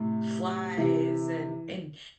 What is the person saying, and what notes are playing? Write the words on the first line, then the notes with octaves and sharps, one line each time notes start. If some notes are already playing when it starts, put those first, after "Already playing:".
flies and and
Already playing: A2 C3
C3 E3